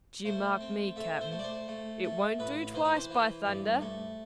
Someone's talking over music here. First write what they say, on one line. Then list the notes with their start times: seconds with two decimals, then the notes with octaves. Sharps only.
But you mark me, cap'n, it won't do twice, by thunder!
0.25 A3 C5
0.61 C4
0.96 A3 E5
1.21 C5
1.32 A3
1.39 D5
1.44 C5
1.68 A3
2.04 A3
2.39 A1 B4
2.74 E3 C5
2.85 B4
2.96 C5
3.10 E3
3.46 G2
3.81 A3